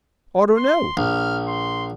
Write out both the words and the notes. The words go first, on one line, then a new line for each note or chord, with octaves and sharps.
"I don't know."
C6
A#1 F6
C6